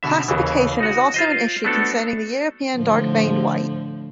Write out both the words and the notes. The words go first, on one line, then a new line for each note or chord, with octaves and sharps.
Classification is also an issue concerning the European dark-veined white.
B2 D3 E5
D#2 C#3 E3
D#4 F#4
F4 C5 D#5
A3 B3 D4 F#4 A4
A2 D3 F3